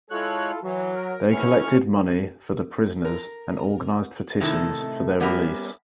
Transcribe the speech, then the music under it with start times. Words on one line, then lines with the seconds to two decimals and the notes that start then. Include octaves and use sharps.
They collected money for the prisoners and organised petitions for their release.
0.11 G#3 E4 F4 A4 C#5 F#6
0.62 E3 F#3
0.95 A#4
1.30 E2 A2 C#4 C#6 F6
3.05 A#4
4.40 A2 C3 D#3 A3 E4
5.20 G3 B3 C#4 G4 A#4 E5